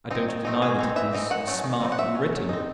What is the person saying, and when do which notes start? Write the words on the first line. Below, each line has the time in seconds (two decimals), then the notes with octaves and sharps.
I don't deny that it is smartly written.
0.11 C4 D#4
0.29 D#3
0.45 A3 C4 D#4
0.62 E3 G#4
0.79 C4 D#4
0.96 E3 E5
1.13 C4 D#4
1.30 D#3 F#5
1.47 F#3 A3 C#4
1.64 D#3
1.81 F#3 C4 D#4
1.92 F#5
1.98 F#3 E5
2.15 C#4
2.33 F#3
2.49 C4 D#4